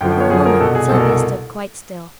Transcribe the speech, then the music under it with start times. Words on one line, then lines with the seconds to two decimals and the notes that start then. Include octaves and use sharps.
For a moment Sylvia stood quite still.
0.01 F#2 D3 F3 G5
0.11 G5
0.20 C#5
0.30 F#2 D3 F3 G#4
0.46 A#4
0.60 B2 A4
0.64 C2
0.75 G#4
0.89 C2 B2 A4
1.00 A#4
1.10 A4